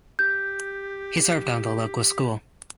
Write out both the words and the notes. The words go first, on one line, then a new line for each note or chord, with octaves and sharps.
He served on the local school.
G4 G6